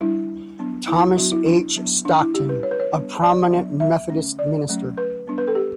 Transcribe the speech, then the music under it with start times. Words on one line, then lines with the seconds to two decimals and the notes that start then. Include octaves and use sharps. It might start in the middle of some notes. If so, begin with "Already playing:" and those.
Thomas H. Stockton, a prominent Methodist minister.
0.01 G3 D4 E4
0.59 F#3 B3 D4
0.88 E4
1.17 F#3 B3 D4 F#4
1.32 E4
1.46 D4
1.76 F#3 B3 D4
2.05 D4
2.20 E4
2.34 C#4 G4
2.39 G3
2.49 B4
2.63 C#5
2.71 B4
2.80 C#5
2.93 G3 B3 D4
3.22 D5
3.50 F#3 B3 D4
3.80 E5
4.09 D3 A3 C#4
4.39 D5
4.69 F#3 A3 C#4
4.97 B4
5.27 G3 B3 D4
5.38 B4
5.48 A4
5.55 G4